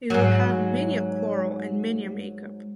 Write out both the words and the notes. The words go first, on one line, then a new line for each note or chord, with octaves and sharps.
You will have many a quarrel and many a makeup.
G#2 F#3